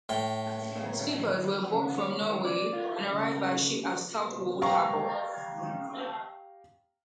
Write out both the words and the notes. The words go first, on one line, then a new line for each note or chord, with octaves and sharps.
Sleepers were bought from Norway, and arrived by ship at Southwold harbour.
A2 G5
C#3
C#5
D5
F4
C#3
G4 F5 G5 A#5 C#6